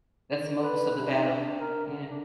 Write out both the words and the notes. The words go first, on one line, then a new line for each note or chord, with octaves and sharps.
That's most of the battle, yeah.
D#3
B4
C3
D#4
D4
A#4
D3
D4